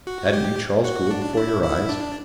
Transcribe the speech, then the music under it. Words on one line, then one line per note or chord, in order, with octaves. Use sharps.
Hadn't you Charles Gould before your eyes?
F#4
G4
F#4
D4
E4
E4
D4